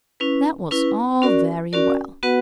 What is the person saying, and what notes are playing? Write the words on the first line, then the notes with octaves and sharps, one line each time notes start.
That was all very well.
C#4 E4 B4
C#4 E4 B4
C#4 F#4 A#4 D5
C#4 F#4 A#4 D5
B3 F#4 B4 F#5